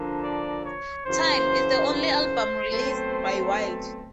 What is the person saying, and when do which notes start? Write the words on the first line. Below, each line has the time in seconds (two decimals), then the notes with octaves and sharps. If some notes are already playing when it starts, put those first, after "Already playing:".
"Time" is the only album released by Wild.
Already playing: D3 F3 A#3
0.23 D5
0.64 C#5
1.05 F#2 C#3 E3 C5
1.88 C5
2.71 B2 F#3 A3 C4